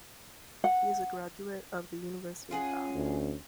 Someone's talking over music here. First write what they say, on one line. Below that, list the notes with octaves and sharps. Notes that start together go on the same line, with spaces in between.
He is a graduate of the University of Bath.
F#5
C#4 F4 G#4 F#5
D2